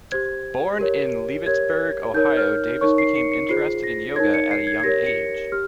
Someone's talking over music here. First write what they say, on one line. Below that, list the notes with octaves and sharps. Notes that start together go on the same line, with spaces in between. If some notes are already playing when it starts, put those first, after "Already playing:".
Born in Leavittsburg, Ohio, Davis became interested in yoga at a young age.
G4 C5 G#6
G4 A#4 C#5
G4 A#4 C#5 G#6
D#4 A#4 C#5 G6
F6
D#4 A#4 C#5 C#6
C7
C#7
C#7
F4 G#4 C5 C7
A#6
D#4 A#4 C#5 G#6
C#7
C7
G#6
G#6
G4 A#4 C#5 A#6
C#7
G4 F6